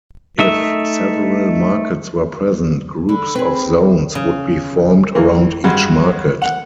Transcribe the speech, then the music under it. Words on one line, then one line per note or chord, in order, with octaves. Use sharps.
If several markets were present, groups of zones would be formed around each market.
A3 D#4 E5
D3 B5
C4 G#4 B4
C#3
E3 A#3
G2 G#3 F#4
F#5